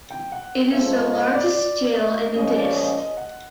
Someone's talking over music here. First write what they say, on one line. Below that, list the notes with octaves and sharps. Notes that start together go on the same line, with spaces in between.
It is the largest Jail in the dist.
G5
F#5
G#3 C#4 F4 A4 C5 E5
D#5
D#5
D5
D5
D#5
A#2 F3 G#3 C#4 D#5
D5
D#5
D#5
F#5